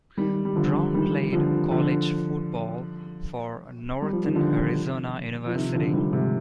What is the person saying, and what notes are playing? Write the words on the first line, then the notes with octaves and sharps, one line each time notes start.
Brown played college football for Northern Arizona University.
D#3 G3
G3
D3 F3
D#3 G3
D3 F3
D3 F3
G3
F3
D#3
D3 F3
F3
C3 D#3
D3 F3
D#3 G3
G#2 C3